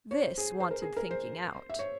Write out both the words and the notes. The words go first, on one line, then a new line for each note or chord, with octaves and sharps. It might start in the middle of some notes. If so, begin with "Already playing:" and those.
This wanted thinking out.
C#5
C5
G#4
C5
A#4
G#4
A#4
C5
E5
C#5